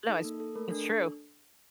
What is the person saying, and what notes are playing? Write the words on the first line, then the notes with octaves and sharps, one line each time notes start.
No, it's it's true.
D#4 A4
A#3
A4
A3 A#4
D4 A4